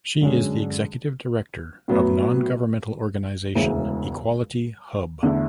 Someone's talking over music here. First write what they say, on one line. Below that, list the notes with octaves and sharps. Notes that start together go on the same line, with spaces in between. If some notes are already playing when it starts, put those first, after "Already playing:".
She is the executive director of non governmental organisation Equality Hub.
F#2 D3 G#3 C#4
A2 F#3 B3
E1 D2 C#3 E3 G#3
E2 D3 A3 E4